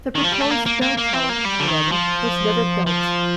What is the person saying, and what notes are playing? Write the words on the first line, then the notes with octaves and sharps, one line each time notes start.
The proposed bell tower, however, was never built.
D#3
F3
G3
A3
A#3
A#3
A#3
A#3
C4
A#3
G3
D3
D#3
F3
F3